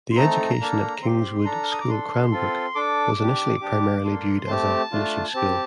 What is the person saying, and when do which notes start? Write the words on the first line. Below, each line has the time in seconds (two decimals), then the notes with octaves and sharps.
The education at Kingswood School Cranbrook was initially primarily viewed as a "finishing school".
0.12 C6
0.16 A3 C4 D#4 A4 A#5
0.60 A#3 D4 A4
1.02 C4 G4 C6
1.45 D4 A4 A#5
1.63 F6
1.72 D#6
1.81 D6
1.88 D4 A4 C6
2.32 C4 F4 A4
2.75 D4 A4 D6
3.19 D4 G4
3.61 D4 G4
4.04 A#3 D4 A4 C6
4.47 A3 C4 G4 A5
4.91 A3 D4 F4
5.34 C4 G4